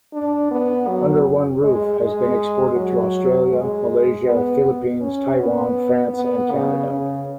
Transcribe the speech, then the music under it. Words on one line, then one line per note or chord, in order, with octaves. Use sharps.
"Under One Roof" has been exported to Australia, Malaysia, Philippines, Taiwan, France and Canada.
D4
B3
F#3
G#3
G#3
F#3
G#3
B3
C#4
B3
B3
C#3
C#3